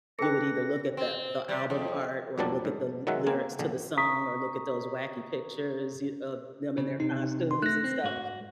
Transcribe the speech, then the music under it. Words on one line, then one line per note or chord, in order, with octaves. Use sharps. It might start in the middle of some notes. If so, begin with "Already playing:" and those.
you would either look at the the album art, or look at the l lyrics to the song, or look at those wacky pictures you of them in their costumes and stuff.
G#4 A4 B4 G5 F#6 A#6 C#7
C4
G3
F2
F2 A#2 F#3 G3 D4 A5
G#2
D#3 F#3 G#3 E5 F#5
A#3 C4 A#4 G#5
A#1 D3
A#5 C#6 D#6 B6
C#3
C3 D#4
C6
A3 F#6 A#6
C4
G#2 F#4